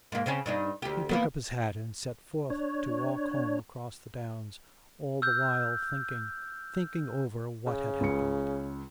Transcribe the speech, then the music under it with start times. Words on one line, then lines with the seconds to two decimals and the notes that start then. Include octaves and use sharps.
He took up his hat and set forth to walk home across the downs, all the while thinking, thinking over what had happened.
0.12 G#2 A#3
0.26 C#3 C4 C#4
0.46 G2 D4 D#4
0.82 D2 G4
1.09 E3 A#3 B3
2.50 D4 C#5
5.22 E6 F6 G6
7.67 C#3
8.01 C#2 C#7